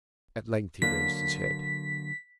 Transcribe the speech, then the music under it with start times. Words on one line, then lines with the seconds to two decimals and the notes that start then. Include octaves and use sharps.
At length he raised his head.
0.82 D3 F#3 A#3 B6